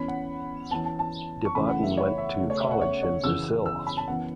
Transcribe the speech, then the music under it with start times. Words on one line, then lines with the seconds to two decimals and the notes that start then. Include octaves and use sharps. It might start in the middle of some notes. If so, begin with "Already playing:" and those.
Debatin went to college in Brazil.
Already playing: E2 E3 C#4 B5
0.08 F#5
0.71 E2 E3 C#4 A5
0.85 A5
0.99 A5
1.45 C#6
1.55 F#2 C#3 E3 A3 B5
1.69 F#5
1.83 E5
1.97 C#5
2.18 E5
2.40 C#3 A3 C#4
2.50 C#5
2.60 E5
2.71 F#5
2.81 C#5
3.03 C#5
3.24 F#2 C#3 E3 C#4 E6
3.66 E6
3.87 B5
3.97 A5
4.08 F#2 E3 B3 F#5